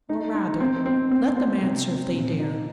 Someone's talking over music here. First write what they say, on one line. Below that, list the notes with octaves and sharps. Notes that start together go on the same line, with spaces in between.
Or, rather, let them answer if they dare.
D#4
D#4
C4
C4
C4
C4
C3
C4
A#2
D#4